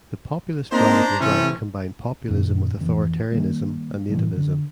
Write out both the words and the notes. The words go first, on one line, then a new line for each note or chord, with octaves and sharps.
The populist radical right combined populism with authoritarianism and nativism.
A#3 C4 D4 D#4 C5 A#5
C3 E3 A3 C4 C#4
C2 F#2 A#2 D#3
F1 E3
D#3 E3 G3 A#3
A2 C3 E3 G3
D3